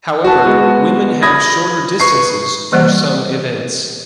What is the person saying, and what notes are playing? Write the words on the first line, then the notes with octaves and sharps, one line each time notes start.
However, women have shorter distances for some events.
F#4 A5
G#3 B3 F#4
B5 D#6 G#6 A#6
B4 C#6 C7
E3 G3 A#3 C5 D5 F#5